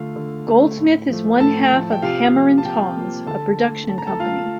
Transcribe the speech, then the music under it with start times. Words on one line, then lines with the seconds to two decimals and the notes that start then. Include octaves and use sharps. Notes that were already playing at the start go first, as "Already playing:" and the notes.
Goldsmith is one half of "Hammer and Tongs", a production company.
Already playing: D3 A3 F4 F5
0.16 D3
0.48 A3
0.79 A2
1.10 F3 A3
1.40 A2 A4 A5
1.72 F3 A3
1.92 G5
2.02 C3 F4 F5
2.34 F3 A#3
2.58 A5
2.64 C3 G4 G5
2.96 F3 A#3
3.26 D3 A4 A5
3.58 A3
3.89 D3 A5
3.98 A#5
4.07 A4 A5
4.20 A3 F4 F5